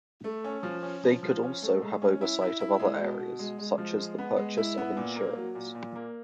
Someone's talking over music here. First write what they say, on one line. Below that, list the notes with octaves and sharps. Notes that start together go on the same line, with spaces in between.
They could also have oversight of other areas, such as the purchase of insurance.
A3
C#4
F3
C#4
F3
F3
C#4
A3
G#3
C#4
E4
E4
E4
G#3
B2
B2
G#3
G#3
F3
G#3
B3
G#3
E4
B3
A#2
A#3
F#3
A#2
A#2
A#3